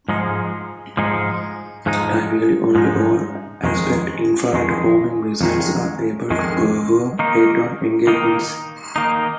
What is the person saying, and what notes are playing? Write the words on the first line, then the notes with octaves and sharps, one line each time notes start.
Typically only all-aspect infra-red homing missiles are able to perform head-on engagements.
G#2 F3 G#3 D#4
G#2 F3 G#3 D#4
G#2 F3 G#3 D#4
G#2 F3 G#3 D#4
F2 D#3 G#3
F2 D#3 G#3
F2 D#3 G#3
F2 D#3 G#3
D#3 A#3 D#4
D#3 A#3 D#4
D#3 A#3 D#4